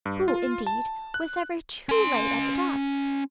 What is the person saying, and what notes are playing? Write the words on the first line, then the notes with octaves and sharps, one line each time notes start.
Who, indeed, was ever too late at the docks?
G2
F4
A5
F#6
C#4 C6